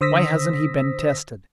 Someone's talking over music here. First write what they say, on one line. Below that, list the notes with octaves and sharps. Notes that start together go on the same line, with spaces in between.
Why hasn't he been tested?
D3 C5 D#6 E6 A#6 B6